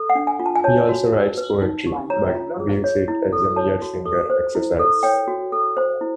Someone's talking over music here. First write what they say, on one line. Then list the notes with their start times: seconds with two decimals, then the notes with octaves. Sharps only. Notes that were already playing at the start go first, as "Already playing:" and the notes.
He also writes poetry, but views it as a mere finger exercise.
Already playing: A4
0.10 F#5
0.15 D4
0.27 G#5
0.40 F4
0.46 A5
0.56 G#5
0.64 C#5 A5
0.89 F#4
1.13 A#4
1.38 B4
1.62 D#4
1.87 G4
2.10 C#5 A#5
2.35 F4
2.60 G#4
2.84 C#5
3.08 E4
3.33 A4
3.56 C#5 A5
3.82 F#4
4.06 A4
4.30 C5
4.55 E4
4.79 A4
5.03 C#5 G5
5.28 F#4
5.52 A4
5.77 C5
6.01 E4